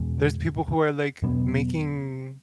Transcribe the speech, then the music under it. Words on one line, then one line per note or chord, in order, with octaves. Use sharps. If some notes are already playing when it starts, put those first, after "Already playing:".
there's people who are, like, making,
Already playing: E2 B2 G#3
E2 B2 F#3 B3